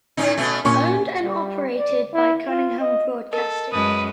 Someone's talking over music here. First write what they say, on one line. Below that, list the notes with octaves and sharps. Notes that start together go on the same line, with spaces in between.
Owned and operated by Cunningham Broadcasting.
A2 C#4 D#4
B2 A3
A#2 C#4 C#6
G3
D5
E4
F4
D#5
A4 A#4 D#5
F#2 G#3 B4 D#6